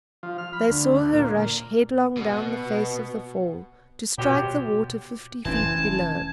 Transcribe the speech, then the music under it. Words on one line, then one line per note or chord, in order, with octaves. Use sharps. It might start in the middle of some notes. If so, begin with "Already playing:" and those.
They saw her rush headlong down the face of the fall to strike the water fifty feet below.
F3
F6
B5
D2
A#2
B2 B3
B2 F3 F#3 G4
F1 E3 C#4 C5 G5 A5 G#6